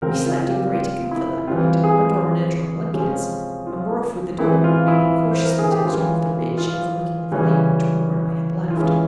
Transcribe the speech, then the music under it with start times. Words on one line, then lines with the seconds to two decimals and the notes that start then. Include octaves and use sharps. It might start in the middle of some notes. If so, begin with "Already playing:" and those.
We slept in greater comfort that night, under our inertron blankets, and were off with the dawn, leaping cautiously to the top of the ridge overlooking the valley which Wilma and I had left.
0.02 C#3 F3 C4 A#4
0.26 F4
0.41 F4
0.51 G4
0.75 F4
1.11 E4
1.47 E3 G3 C4 F4
1.84 G#4
2.93 C3 F3 G#3 C#4
3.67 F4
4.39 E3 G#3 C4 E4
4.64 F4
4.88 E4
5.31 C5
5.45 A#4
5.58 G#4
5.72 G4
5.84 E3 G#3 C#4 F4
6.58 F4
7.31 C#3 E3 G3 C#4
8.70 F4
8.76 E3 G#3 C#4 E4